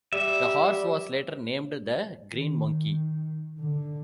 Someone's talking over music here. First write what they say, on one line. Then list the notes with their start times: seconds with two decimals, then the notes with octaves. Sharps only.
The horse was later named The Green Monkey.
0.13 G3 E5
2.33 D#3
3.60 D3